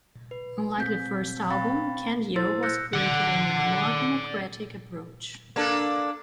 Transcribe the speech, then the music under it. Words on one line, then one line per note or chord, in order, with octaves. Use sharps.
Unlike the first album, "Candy-O" was created under a more democratic approach.
B4
C4 G6 B6
C4 F5 G5 B5 C#6 A6
E4 A4 C5 C6 E6 A6
E6 F#6 G6 A#6 C#7
D5 F#5
A#3 D4 A4